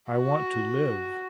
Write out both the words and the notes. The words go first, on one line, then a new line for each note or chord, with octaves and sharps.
I Want to Live!
F#4